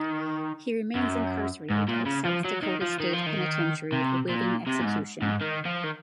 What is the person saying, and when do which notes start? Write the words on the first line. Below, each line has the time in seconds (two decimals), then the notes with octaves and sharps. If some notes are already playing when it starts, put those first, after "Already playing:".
He remains incarcerated at South Dakota State Penitentiary awaiting execution.
Already playing: D#3
0.95 F#2
1.70 G#2
1.88 A#2
2.06 C#3
2.25 F3
2.44 F#3
2.62 D#3
2.81 F3
3.00 D#3
3.13 F3
3.26 D#3
3.92 C3
4.29 A#2
4.67 C3
4.81 A#2
4.85 G#2
5.22 G#2
5.41 D#3
5.65 F3
5.84 D#3